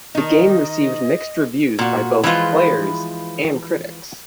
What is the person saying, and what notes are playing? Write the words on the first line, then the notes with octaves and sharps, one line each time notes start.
The game received mixed reviews by both players and critics.
D#3 D#4 D#5
A#2 F#4
E3 F3 G#3 F4 B4